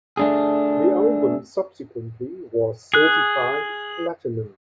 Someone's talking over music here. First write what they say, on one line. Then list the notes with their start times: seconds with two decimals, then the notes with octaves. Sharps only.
The album subsequently was certified platinum.
0.17 A3 D4 G#4
2.94 G#4 F#6